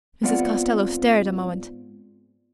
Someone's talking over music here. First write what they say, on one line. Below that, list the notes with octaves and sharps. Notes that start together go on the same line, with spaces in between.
Mrs. Costello stared a moment.
G#2 B3 C4 F4 D5 F#5